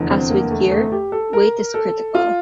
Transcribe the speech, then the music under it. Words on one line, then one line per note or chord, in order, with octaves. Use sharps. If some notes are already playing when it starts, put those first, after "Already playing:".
As with gear, weight is critical.
Already playing: F1 E2 D3
C4
A#3
A3
A3
G4
A4
A#4
A4
F4